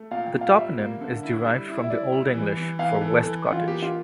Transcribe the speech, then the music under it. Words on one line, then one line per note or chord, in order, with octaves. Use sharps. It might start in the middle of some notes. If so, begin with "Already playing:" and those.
The toponym is derived from the Old English for "west cottage".
Already playing: A3
A#2 F5
G5
A#2
F5
G3 E5
A#3
D3
E4
G3
E4
E5
E4 D5
G3 E5
E3
E3
E3 F5
A4
E3
A4
E3 A4
E3
F4
A#3 G4
F4